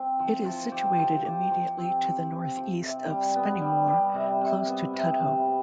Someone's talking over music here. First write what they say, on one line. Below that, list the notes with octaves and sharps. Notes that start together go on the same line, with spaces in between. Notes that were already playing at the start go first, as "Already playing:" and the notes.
It is situated immediately to the north-east of Spennymoor, close to Tudhoe.
Already playing: C4
F3
F3
G4
F3
G4
F3
C4
F3
G4
F3
C3
G3
B3
G3
G3
C3
C3
B3
C3
C3
B3